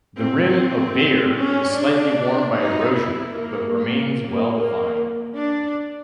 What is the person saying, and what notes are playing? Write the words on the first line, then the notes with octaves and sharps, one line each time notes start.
The rim of Bayer is slightly worn by erosion, but remains well-defined.
C4
C#4
D4
D#4
E4
A#3
A#3
A#3
A#3
D4